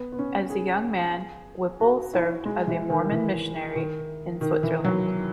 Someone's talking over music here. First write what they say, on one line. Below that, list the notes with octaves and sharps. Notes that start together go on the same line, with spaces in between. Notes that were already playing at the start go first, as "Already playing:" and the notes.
As a young man, Whipple served as a Mormon missionary in Switzerland.
Already playing: B3
B3
C#4
G#4
F#4
E4
G#3
E3
D#3
E3
D#3
D#3
E3
F#3